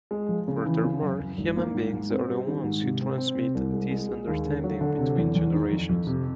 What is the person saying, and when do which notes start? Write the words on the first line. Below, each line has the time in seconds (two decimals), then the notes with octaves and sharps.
Furthermore, human beings are the ones who transmit this understanding between generations.
0.11 G#3
0.29 F3
0.48 C#3
0.66 E3
0.84 C#3
1.01 F#2
1.20 F#2
1.38 G#1
1.56 A#3
1.75 G#2
1.93 G#2
2.10 C4
2.28 G3
2.47 D#3
2.64 G#2
2.83 C3
3.01 C4
3.18 C4
3.37 C3
3.55 C2
3.73 G#3
3.91 G#3
4.09 G#3
4.27 D#2
4.45 D3
4.64 F#3
4.81 D3
4.99 C3
5.18 E2
5.35 E2
5.54 D#3
5.72 F2
5.89 F2
6.07 C3